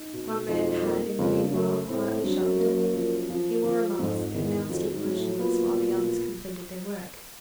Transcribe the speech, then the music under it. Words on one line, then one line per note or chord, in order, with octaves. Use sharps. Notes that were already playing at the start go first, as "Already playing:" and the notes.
One man had in the meanwhile quietly shut the door; he wore a mask and now stood motionless while the others completed their work.
Already playing: D#4
B2
F2 D#4
A#3
F2 C#3
G2
F#2 A3
A2 C4
A2
G2 F#3
F#2
A#3
F3
F3
F3
F2 G#2
E2 D#3
F2 F#3
G#2
F#3
A2
A#2 B3
B2